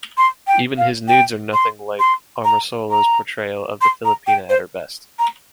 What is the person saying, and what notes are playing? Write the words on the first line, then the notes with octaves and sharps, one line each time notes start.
Even his nudes are nothing like Amorsolo's portrayal of the Filipina at her best.
C6
G5
F5
G5
C6
C6
A#5
A#5
C6
A#5
G5
C5
A#5